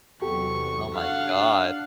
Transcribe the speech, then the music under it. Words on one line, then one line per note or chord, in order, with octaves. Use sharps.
Oh my god.
E2 C3 F#3 F#4 G4 A4 C#6
D4 F5 F#5